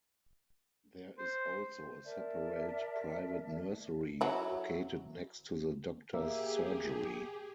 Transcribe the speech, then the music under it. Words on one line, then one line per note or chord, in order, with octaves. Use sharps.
There is also a separate private nursery located next to the Doctor's Surgery.
C5
A#4 D5 E5 A5
F#3 E4
A#3 G4 G#4 E5